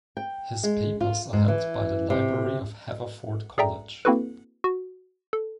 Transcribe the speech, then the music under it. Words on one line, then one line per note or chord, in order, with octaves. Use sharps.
His papers are held by the library of Haverford College.
G5
G#3
F4
G#2
E3
C3
G#4 A4 D5 E5 G5 A#5
A#3 C4 E4 F#4 A4 B4
F#4
A4